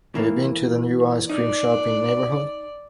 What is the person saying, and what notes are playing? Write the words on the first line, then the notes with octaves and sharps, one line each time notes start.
Have you been to the new ice cream shop in neighborhood?
E3 A#3
D#4 D5